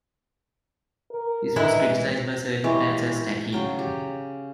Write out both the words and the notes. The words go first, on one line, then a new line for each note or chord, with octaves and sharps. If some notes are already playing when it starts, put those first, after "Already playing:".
This was criticised by certain fans as 'tacky'.
A#4
E3 G#3 E4
E3 G#3 G4 C#5
C#3 F#3 G5
G4